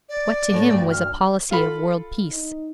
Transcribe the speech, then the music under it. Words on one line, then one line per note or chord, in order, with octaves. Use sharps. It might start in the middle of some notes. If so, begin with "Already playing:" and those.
What to him was a policy of world-peace?
D5
A2 D3
D2 G2
F6
F4 A4 B5
D#4